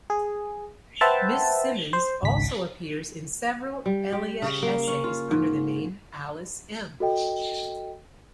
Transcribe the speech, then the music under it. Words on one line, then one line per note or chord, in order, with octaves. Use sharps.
Miss Simmons also appears in several Elia essays under the name "Alice M".
G#4
B4 C5 E5 F#5 G5 A5
C5
G#1 C#2 B6
G3
G4
C#3
A#3
C#4
F4
G#2
F#4 A4 D#5 G5